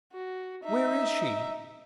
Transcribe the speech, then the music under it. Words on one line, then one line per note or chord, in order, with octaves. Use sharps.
Where is she?
F#4
D#4 E5